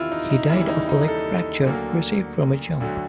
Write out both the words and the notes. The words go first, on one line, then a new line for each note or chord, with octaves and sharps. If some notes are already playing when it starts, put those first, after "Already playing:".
He died of a leg fracture received from a jump.
Already playing: E2 C3 D#3 E4 F4
D#4
D#4
D#2 C#3 E3 G3 A#3 E4
D#4
D#4
A4
D2 D3 F#3 A#3
D2 D3 F#3 A3